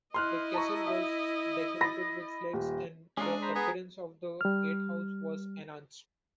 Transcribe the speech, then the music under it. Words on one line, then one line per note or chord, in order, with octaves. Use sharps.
The castle was decorated with flags and the appearance of the gatehouse was enhanced.
E4 D#5 C6 F6 F#6
A5 A#5 C#6
E5
B5 A6 A#6
D#1
G#3 C#4 D4 F4 G#4 A#4
C5 A#5 B5
B3 G#4
G3 F6